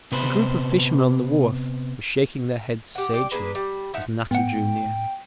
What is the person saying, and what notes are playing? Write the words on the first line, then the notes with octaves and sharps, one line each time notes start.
A group of fishermen on the wharf were shaking their heads sagely as Natty drew near.
C3 B3 B4 C5
G4 F#5
D5 G5
A#3 D4 G#4 B4
G3
F3 D#4 E5 F#5
A2 B3 F#5 G5